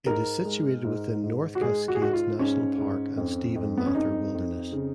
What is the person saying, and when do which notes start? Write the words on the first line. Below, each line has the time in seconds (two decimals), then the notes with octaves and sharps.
It is situated within North Cascades National Park and Stephen Mather Wilderness.
0.07 G#2 A#4
0.45 G#3
0.85 G#2
1.24 G#2
1.55 F#4
1.61 G#3 G#4
1.88 F#4
1.95 G#4
2.01 G#2 F#4
2.13 F4
2.39 G#2 C#4
2.78 G#2
3.17 F2
3.56 F2
3.78 B3
3.86 C#4
3.95 F2 D#4
4.34 F2
4.72 C#3